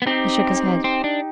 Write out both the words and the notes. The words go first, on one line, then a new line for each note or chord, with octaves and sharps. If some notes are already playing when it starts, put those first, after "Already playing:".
He shook his head.
B3
C4 D#4 G4
C4
D4